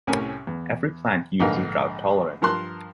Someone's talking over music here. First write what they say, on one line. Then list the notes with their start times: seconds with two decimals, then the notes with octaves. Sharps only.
Every plant used is drought-tolerant.
0.07 C2 A2 C4 C#4 A#4 G#5
0.47 E2
1.40 A#1 G#2 D3 A#4 B4 F5
2.42 G2 F3 A#4 A5 C6 F#6